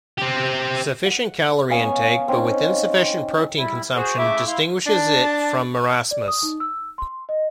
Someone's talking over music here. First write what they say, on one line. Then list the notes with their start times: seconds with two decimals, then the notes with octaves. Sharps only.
Sufficient calorie intake, but with insufficient protein consumption, distinguishes it from marasmus.
0.18 C4 G4
1.06 F#5
1.70 B3 C#4 F5 G#5
2.28 C4 C#4 D#4
3.57 G3 E4
3.95 F#4 G#4 C5
4.18 C#3 A3 E4 E5 D6
4.47 E4 F5 C6
4.87 D4 A5
6.11 D5
6.28 D#6
6.43 D#4
6.60 E6
6.98 C6
7.29 D#5